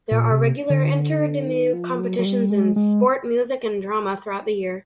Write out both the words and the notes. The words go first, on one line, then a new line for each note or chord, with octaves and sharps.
There are regular inter-Deme competitions in sport, music and drama throughout the year.
A#2
C3
D3
D#3
F3
F#3
F#3
G3
G#3
G#3